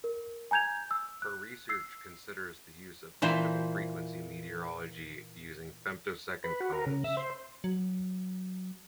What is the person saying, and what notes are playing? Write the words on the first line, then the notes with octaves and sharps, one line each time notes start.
Her research considers the use of optical frequency metrology using femtosecond combs.
A#4
G#5 A#5 G6 G#6 F7
E6
F#6
E6 C7
A#2 E3 C5
B4
F#4
A#4
C#3
E5
C5
F#3